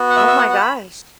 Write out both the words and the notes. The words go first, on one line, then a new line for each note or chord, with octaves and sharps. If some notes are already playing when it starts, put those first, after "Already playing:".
Oh my gosh.
Already playing: B3 F#4
F#5
E5
E5
F#5
F#5
B5